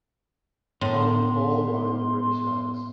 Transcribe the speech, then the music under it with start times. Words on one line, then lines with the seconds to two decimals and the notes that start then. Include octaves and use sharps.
Common all around the British Isles.
0.81 A2 B3 A#4 C6